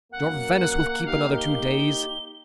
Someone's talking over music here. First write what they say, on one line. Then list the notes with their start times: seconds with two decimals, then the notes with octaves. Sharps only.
Your Venice will keep another two days.
0.12 F#2 A#3 F#5
1.05 D#4 G4 F5
1.38 G7